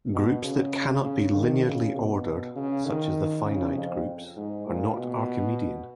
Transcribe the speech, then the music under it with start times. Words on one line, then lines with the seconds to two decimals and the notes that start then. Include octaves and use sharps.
Groups that cannot be linearly ordered, such as the finite groups, are not Archimedean.
0.14 B2
0.44 C#3
1.04 C#3
1.35 D#3
1.65 C#3
1.95 B2
2.56 C#3
2.85 D#3
3.46 C#3
3.76 F2
4.37 G#2
4.67 A#2
4.97 B2